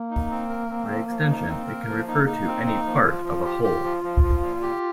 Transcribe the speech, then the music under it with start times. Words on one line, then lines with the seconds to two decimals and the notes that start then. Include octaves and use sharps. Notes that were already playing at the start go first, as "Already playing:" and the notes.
By extension it can refer to any part of a whole.
Already playing: A#3
0.11 D#4
0.30 C4
0.49 A#4
0.70 C4
0.89 F3
1.09 F3
1.29 D#4
1.48 A#3 C4
1.67 A#4
1.88 F3
2.07 D#4
2.26 D#4
2.46 C4
2.66 D#4
2.86 F3
3.05 F3 F4
3.25 F3
3.45 G4
3.64 G4
3.84 F3
4.04 F3
4.23 F3
4.43 A#2
4.62 G4